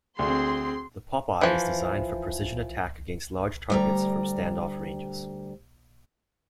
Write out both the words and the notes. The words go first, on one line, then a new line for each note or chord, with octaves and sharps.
The Popeye is designed for precision attack against large targets from stand off ranges.
D2 C4 G#4 C6
E3 F3
D2 G3 A#5